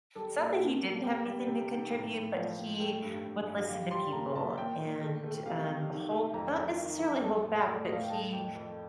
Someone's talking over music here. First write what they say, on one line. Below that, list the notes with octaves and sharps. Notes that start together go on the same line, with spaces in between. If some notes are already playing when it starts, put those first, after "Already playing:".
It's not that he didn't have anything to contribute, but he would listen to people, and, um, hold not necessarily hold back, but he
G3 A4
A#2
A#2
A#2
G3 G5
G3
C3
D#3
A2
A2
F3
A2
A3 G5
G2
G2
G2
G3 F5
G3 C6
A#2 A#5
A#2 A5
A#2 G5
A#2
A3
A3
C3 F5
C3
D#3
A3
F2 A#5
F2
D#3
F2
A3 A5
A2
A3
D5
D#5
A2 F5
G5
A3 A5
F2 G5
F2